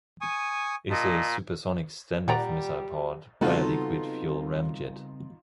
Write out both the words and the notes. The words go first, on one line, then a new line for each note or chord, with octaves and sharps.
It is a supersonic standoff missile powered by a liquid fuel ramjet.
G#5 C#6 D#6
A#2 D#5 A5
A#2 G3 D5 F#5 G5 A#5
C#3 G3 B3 C4 D#4 F4 F#4 A4